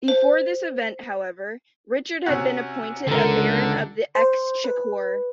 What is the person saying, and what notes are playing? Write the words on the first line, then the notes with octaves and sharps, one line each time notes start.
Before this event, however, Richard had been appointed a baron of the exchequer.
C5
C3 C#4 F#4
C#2 D3 A4 A#4
C5
B4